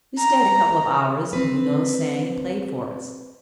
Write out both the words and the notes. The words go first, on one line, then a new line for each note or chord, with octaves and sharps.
We stayed a couple of hours, and Gounod sang and played for us.
A#5
C4 B4